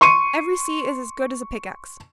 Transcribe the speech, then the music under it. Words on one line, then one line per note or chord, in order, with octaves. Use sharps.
Every sea is as good as a pickaxe.
C6 C#6 C#7 D#7